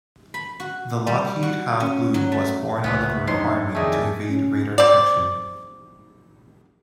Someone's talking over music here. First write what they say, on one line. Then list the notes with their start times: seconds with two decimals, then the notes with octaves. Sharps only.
The Lockheed "Have Blue" was born out of a requirement to evade radar detection.
0.34 B5
0.60 F#4
1.07 G3
1.43 F#4
1.80 C#4
2.14 F#3
2.32 A3
2.84 C#2 A#2 F#3 G#3 A3 B3 B4
3.27 F#2 C3 E3 D4 D#4 C#5 C6
3.75 F2 D#3 A3 D#4 G#4 D5 G5 G#5
4.28 C#4
4.78 C4 D5